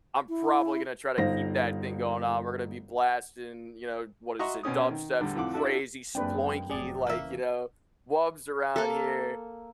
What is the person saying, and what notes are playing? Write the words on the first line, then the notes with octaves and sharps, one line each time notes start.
I'm probably gonna try to keep that thing going on, we're gonna be blasting, you know, what is it? Dubstep, some crazy sploinky, like, you know, wubs around here.
E4
G1 D#4 C5 F5 A#6
F#4 D#5 E5 A#5 C6 C#6
B2 C4 C#4 D#6
D#3
E2 A2 D3 G3
F2 A2 F#5 D6
D4 E4 F#4 A4
F#2 G#3 A#3 C4 D4 B4 G5
F1 A2 F#3 G#4 D5
C#3 E3 A#3 E5
A#3 A4